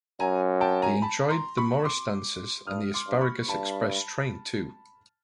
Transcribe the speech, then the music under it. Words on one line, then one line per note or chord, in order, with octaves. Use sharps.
They enjoyed the Morris Dancers and the Asparagus Express train too.
F#2 G#5 A#5
G5 A5
G#5 A#5
A5 B5
A#5 C6
B5 C#6
C6 D6
G2 D#6 F6
C6 D6
G2
B5 C#6
G2 A5 B5